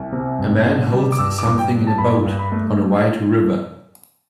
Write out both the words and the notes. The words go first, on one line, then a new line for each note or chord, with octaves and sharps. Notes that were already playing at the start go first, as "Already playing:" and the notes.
A man holds something in a boat on a wide river.
Already playing: C2
C3
G2
D3
G3
D6
G2 E6
D6
G2
G5
G3
A5
G2 B5
G2
B5
A3